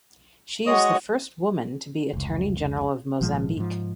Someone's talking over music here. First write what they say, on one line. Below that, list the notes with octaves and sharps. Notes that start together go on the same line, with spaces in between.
She is the first woman to be Attorney General of Mozambique.
G#3 F#4 C#5 D#5 D#6
F1 C#2
G#1 A#2 F3 G#3
G#2 F3